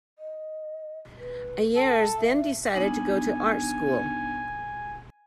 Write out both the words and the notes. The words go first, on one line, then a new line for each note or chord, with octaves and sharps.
Ayres then decided to go to art school.
D#5
B4
A4 G5
E5
B3 D4 D#4 G#5